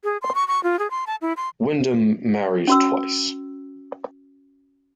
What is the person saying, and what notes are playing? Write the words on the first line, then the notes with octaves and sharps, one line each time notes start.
Wyndham married twice.
G#4
C6
C#6
C#6
F4
G#4
C6
A5
E4
C6
C#4 F#4 E6